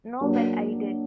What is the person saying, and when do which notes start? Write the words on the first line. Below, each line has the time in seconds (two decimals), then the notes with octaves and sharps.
No - well, I did.
0.21 F#3 A#3 D4